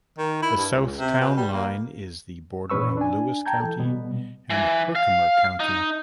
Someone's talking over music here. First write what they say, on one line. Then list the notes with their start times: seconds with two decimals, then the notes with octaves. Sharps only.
The south town line is the border of Lewis County and Herkimer County.
0.18 D#3
0.42 E4
0.57 G2
0.75 C#2
0.99 C3
1.21 B2
1.37 G3
1.53 A#3
2.70 A#2 E3 C#4 B4 C#6 E6
2.97 D4 G#5
3.46 G5 A5 A#5 G6 G#6
3.60 E3 A4
3.80 B2 G3 B3
4.50 E3
4.95 F5
5.60 D#4